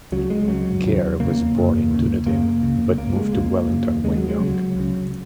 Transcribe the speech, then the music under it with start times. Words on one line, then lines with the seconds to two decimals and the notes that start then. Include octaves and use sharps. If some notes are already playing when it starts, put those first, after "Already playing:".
Gair was born in Dunedin, but moved to Wellington when young.
0.12 C#2 C#3 F#3
0.30 G#3
0.48 C#2 C#3 F#3
0.84 D#2 C#3
1.20 D#2 C#3 A#3
1.55 F#2 C#3
1.91 D#2 C#3
2.26 F#2 C#3 A#3
2.62 C#2 C#3
2.97 C#2 C#3 A#3
3.16 G#3
3.33 C#2 C#3 A#3
3.69 F#2 C#3
4.04 D#2 C#3 G#3
4.17 F#3
4.29 G#3
4.40 C#2 C#3 F#3
4.76 C#2 C#3